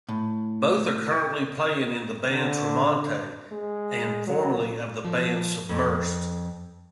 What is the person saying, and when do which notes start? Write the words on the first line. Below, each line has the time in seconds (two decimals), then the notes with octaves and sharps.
Both are currently playing in the band Tremonti and formerly of the band Submersed.
0.08 A2
2.28 D3
3.51 G#3
4.27 F#3
5.04 F3
5.69 F2